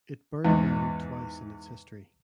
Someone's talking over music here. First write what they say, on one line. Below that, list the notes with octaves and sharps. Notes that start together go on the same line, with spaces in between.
It burned down twice in its history.
E2 G#2